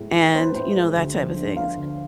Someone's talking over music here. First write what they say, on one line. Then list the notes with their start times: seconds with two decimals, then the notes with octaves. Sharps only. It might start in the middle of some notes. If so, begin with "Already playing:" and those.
and, you know, that type of things.
Already playing: A2 G#3 B3
0.15 E3
0.35 B3 C5
0.45 B4
0.55 A2 C5
0.76 G#3
0.95 D2
1.16 F3
1.36 D3
1.56 B3 F5
1.77 D2